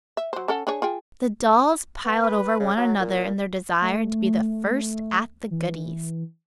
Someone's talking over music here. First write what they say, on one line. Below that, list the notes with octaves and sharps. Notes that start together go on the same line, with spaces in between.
The dolls piled over one another in their desire to be the first at the goodies.
E5
F#3 C5
C#4 A4 F#5
D4 G#4 C#5
F4 G#4 G5
B3
B4
C#3
F#3
A#2
A3
E3